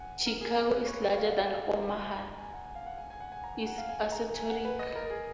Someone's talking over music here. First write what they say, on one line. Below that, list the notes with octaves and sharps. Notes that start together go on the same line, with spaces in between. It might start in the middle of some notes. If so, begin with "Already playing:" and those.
"Chicago is larger than Omaha" is assertoric.
Already playing: F#5 G#5
A#4
G#4
A#4
B4
C#5
D#5
F5
F#5
G#5
F#5
F#5
A#5
G#5
A#5
A#5
G#5
F#5
G#5
F5
F#5
G#5
G#5
F#5
G#5
A#5
G#5
F#5
F5
G#5
A#5
G#5
F#5
B4
D#5
A#4
G#4